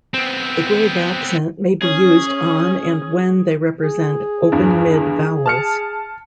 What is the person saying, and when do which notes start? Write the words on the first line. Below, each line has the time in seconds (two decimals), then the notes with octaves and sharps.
The grave accent may be used on and when they represent open-mid vowels.
0.14 B3 C4
1.82 C#4 G#4
3.80 G#4
4.52 E2 G2
5.46 A5 F6 C#7